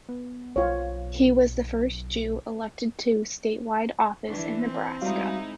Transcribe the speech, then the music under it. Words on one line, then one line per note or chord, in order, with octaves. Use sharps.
He was the first Jew elected to statewide office in Nebraska.
B3
B1 F4 C#5
E3 D4
C4
G3 G#3 D#4 E4 F#4 F5